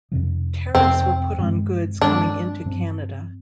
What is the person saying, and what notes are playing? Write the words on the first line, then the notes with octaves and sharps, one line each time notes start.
Tariffs were put on goods coming into Canada.
F2 C3 F3
F2 C3 F3 C4
G2 D#3 G#3 C4
G2 D#3 G#3 C4 D4
G2 F3 C4